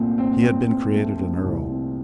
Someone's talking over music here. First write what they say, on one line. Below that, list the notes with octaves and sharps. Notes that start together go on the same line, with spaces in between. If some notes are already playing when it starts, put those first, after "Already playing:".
He had been created an Earl.
Already playing: C2 A#2 A3 C4
C4
C4
C4
A3
C4
C2
C4